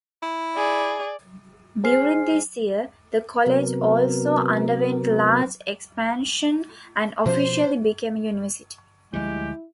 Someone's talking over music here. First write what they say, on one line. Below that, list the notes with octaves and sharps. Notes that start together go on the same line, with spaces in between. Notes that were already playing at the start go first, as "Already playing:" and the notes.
During this year, the college also underwent large expansion and officially became a university.
E4
G#4 D5
G#4 C5 G#5 F6 C7
C3 F#3 B3 A#4
B2 F3 C#4 C5
D2 F3 G3 G#3 E4 G4